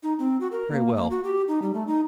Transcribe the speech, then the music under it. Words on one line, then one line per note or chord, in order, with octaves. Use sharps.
Very well.
D#4
C4
F#4
A#4
A#3
A#3
F#4
G4
D#4
G3
A3
D#4